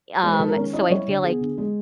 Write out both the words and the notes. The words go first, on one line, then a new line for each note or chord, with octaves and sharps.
Um, so I feel like,
G#3 C5
B4
D#3 A4
A#4
C#4
E4 D#5
G3 C#5
D3
B3 G#4
D3
G#3